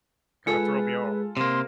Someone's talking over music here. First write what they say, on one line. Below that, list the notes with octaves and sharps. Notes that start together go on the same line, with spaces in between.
kinda throw me off.
G#3 F4 G#4 A4 B4 G#5
C3 A#3 C6